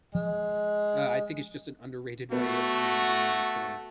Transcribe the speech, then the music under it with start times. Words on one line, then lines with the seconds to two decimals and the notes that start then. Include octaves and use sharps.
Uh, I think it's just an underrated way of, you know, being able to
0.15 F3 G#3
2.32 B2 A3 B3 F#4